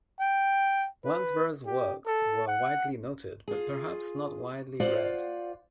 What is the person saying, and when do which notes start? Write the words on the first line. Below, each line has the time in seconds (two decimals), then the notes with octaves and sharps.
Wansbrough's works were widely noted, but perhaps not widely read.
0.20 G5
1.05 B4
1.66 G4
2.07 A4
2.48 F#5
3.48 F4 G#4
4.80 F4 C5 D5 F5 F#5